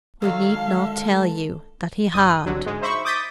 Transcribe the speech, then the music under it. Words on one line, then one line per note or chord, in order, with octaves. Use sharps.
We need not tell you that he had.
D3 D#3 F#3 F5 E6
G#3 A5
G1 D#6
C2 D3 F#3
G#2 G#3
D#4 C5 E5 B5 C#6
D6 D#6 G6 A6 B6